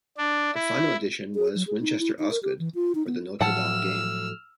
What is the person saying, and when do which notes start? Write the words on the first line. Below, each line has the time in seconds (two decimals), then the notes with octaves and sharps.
The final addition was Winchester Osgood for the Notre Dame game.
0.18 D4
0.54 E4
1.35 G#4
1.55 F#3
1.67 G#4
1.80 D#4
1.99 E4
2.19 D#4
2.31 A#4
2.43 G4
2.59 E3
2.75 F4
2.95 D#4
3.07 B3
3.41 A2 F3 F#3 F#5 A5 E6 F6